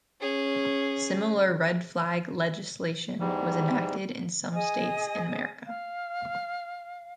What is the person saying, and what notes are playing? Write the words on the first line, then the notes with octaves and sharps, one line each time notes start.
Similar 'Red Flag' legislation was enacted in some states in America.
C#4 G#4
E2 G#2 G3
G#4 D#5 G#5 D#6
F5